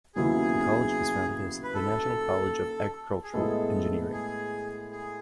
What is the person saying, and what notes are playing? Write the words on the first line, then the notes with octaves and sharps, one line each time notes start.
The college was founded as the National College of Agricultural Engineering.
D#2 C#3 F#3 B3 E4 G#4
B4
A4
G#4
A2 G#3 B3 E4 A4
G#4
G#4